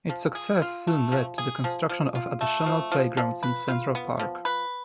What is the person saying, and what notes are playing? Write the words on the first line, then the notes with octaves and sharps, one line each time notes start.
Its success soon led to the construction of additional playgrounds in Central Park.
F3
G#4
F4
A3
F3
G#4
F3
F3
F4
A3
F3
F3
F3
B4
F4
B3
F3
B4